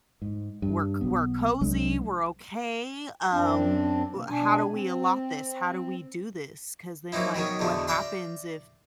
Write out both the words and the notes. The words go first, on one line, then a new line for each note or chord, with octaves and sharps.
we're c we're cozy, we're okay, um, u how do we allot this? How do we do this? 'Cause then like, what happens if,
G#2
G2
B1 B3
C2 F#3 G#3 D4
F#2 C4 D4
B2 A#3
B2 D4 G#5
C4
F#3 A#3 C4 D#4 E4
B2 D#3 F#3 C#4
E2 B2 D3 A3
D5 E5 F5 G5 A#5 C6